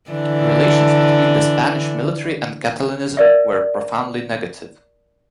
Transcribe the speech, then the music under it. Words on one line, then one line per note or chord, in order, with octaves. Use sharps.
Relations between the Spanish military and Catalanism were profoundly negative.
D3 E3 D4
A#4 D5 E5